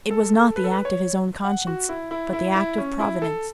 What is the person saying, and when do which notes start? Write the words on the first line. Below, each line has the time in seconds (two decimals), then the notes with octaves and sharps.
It was not the act of his own conscience, but the act of Providence.
0.11 A4
0.34 A4
0.56 B4
0.64 A4
0.72 B4
0.85 C#5
1.45 F#5
1.67 F#4
1.89 E4
2.11 E4
2.33 E4
2.55 E4
2.78 C#4
2.99 E4
3.22 A4